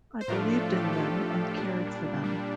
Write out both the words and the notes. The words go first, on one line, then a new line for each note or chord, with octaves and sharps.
I believed in them and cared for them.
C5
A2 F3 A3 D4 F4 A#4
A4
G4
A2 F3 A3 D4 F4 A4
A#2 G3 D4
A#2 G3 D4